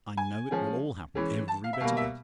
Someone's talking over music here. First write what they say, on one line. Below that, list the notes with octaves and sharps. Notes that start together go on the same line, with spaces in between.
I know it will all happen- -every bit of it.
G#5
F3 G#3 C#4
E3 G#3 C#4
A5
F5
E5
B2 G3 A#3 F5
E5